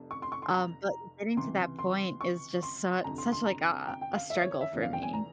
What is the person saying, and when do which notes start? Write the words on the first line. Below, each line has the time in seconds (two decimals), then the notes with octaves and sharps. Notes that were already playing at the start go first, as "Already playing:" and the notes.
um, but getting to that point is just su such like a a struggle for me.
Already playing: F1 F2 C3
0.11 C#6
0.22 C6
0.32 C#6
0.42 C6
0.54 A#5
1.37 C#2 C3 E3 C6
1.79 C6
2.21 C#6
2.63 C6
3.04 G1 F2 C3 A#5
3.18 C6
3.32 C6
3.46 A#5
3.87 G5
4.01 G5
4.15 F5
4.30 E5
4.41 C#5
4.51 C#5
4.61 E5
4.72 F1 E2 C#3 E3
4.83 F5
4.93 G5
5.02 G#5
5.13 A#5